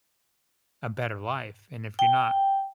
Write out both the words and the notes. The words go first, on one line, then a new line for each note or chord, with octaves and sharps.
a better life, and if you're not
G5